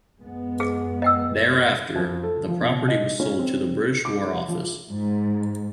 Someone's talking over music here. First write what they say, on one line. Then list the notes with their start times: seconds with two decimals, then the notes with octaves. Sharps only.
Thereafter, the property was sold to the British War Office.
0.18 F#2 G#3 B3
0.60 G#4
1.02 D#5 G5 E6
1.96 F2
2.23 A4
2.48 F3
2.61 B2
2.88 D#5
3.20 C#4
3.39 C4
4.05 D6
4.48 F3
4.93 G#2